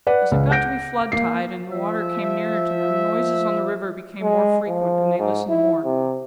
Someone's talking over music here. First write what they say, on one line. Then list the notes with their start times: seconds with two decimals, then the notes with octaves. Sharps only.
As it got to be flood-tide, and the water came nearer to them, noises on the river became more frequent, and they listened more.
0.07 B4 D5 F#5
0.32 C#2
0.51 F#5 G6 A#6 D7
1.12 A#3 C7
1.71 F3 E5
4.23 G#3
4.68 F3
5.19 G#2
5.49 E4
5.85 C3